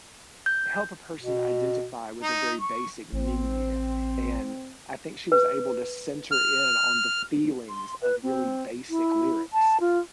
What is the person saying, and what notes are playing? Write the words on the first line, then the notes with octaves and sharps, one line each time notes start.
help a person identify with a very basic need, and I think she was able to center in on the feelings of really basic lyrics.
G6
B2
D#4
C#6
A1 C4
B4
F6
C6
B4
C4
E4
A5
F4